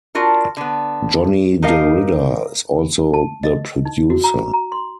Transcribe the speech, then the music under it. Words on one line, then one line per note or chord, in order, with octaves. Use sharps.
Johnny De Ridder is also the producer.
D4 F4 F#4 A#4
D3 B3
D#4 G4 A#4 D#5 F5
A5
D#5
D#4
F#4
A#5
A#5
C6